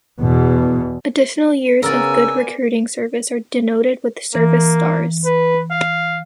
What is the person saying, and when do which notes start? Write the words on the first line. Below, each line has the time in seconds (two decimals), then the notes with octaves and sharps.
Additional years of good recruiting service are denoted with service stars.
0.21 E2 B2
1.83 C#3 B3 A#4 D5 G#5 E6
4.35 E3 A#3
5.25 B4
5.71 F5